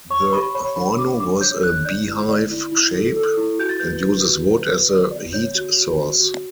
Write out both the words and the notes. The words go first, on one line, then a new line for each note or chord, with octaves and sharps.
The horno has a beehive shape and uses wood as the heat source.
C#5 C#6
G4 B5
C#5 B5
D4 B5
D4 D6
D4 D6
C#5 G6
D4 F#6
D5 G6
E4
D5
E4
E4
A4
A4
E4
F#4 G6
A6
B4 G6
B4
F#4
B4
B4
D5
D5
C#5 G6
F#4
F#4
F#4
F#4